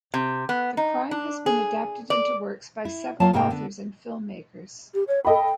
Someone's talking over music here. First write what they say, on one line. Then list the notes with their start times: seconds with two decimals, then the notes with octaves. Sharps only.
The crime has been adapted into works by several authors and filmmakers.
0.14 C3
0.49 B3
0.77 D#4
1.11 D4
1.46 G#4
2.10 D5
2.85 E4
3.20 F#3 A#3 F4 A5
3.33 G#2 C3 A#3 D#4 A4 G5
3.50 D3 B3
4.94 G4
5.08 C#5
5.25 A4 D#5 G5 B5